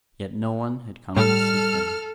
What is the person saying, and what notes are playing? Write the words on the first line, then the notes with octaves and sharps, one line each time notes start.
Yet no one had come to seek him.
A2 G3 A4 F6